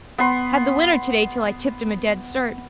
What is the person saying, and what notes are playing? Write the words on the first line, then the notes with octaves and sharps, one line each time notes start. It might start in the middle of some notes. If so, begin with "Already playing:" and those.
Had the winner today till I tipped him a dead cert.
B3 C6